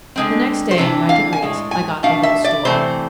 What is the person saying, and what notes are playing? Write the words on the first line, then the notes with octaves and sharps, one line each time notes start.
The next day, by degrees, I got the whole story.
D3 G#3 C4
C5
C3 E3 D4
F5
G#5
A2 G#3
G#5
B2 A3 D4 F5
E5
D5
C3 E3 A3 C5